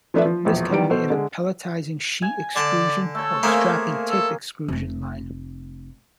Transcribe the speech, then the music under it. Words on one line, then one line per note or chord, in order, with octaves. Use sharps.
This can be in a pelletizing, sheet extrusion or strapping tape extrusion line.
F3 A3 D4 B4 E5
F3
E1 A#1
E2 D#3 G3 D7
B2 A4 C5
D3 G#3
G#5
D3 D5 A5
A3 A4 C#5
A3 A#3 C4 G#4 A#4
A4
F1 A3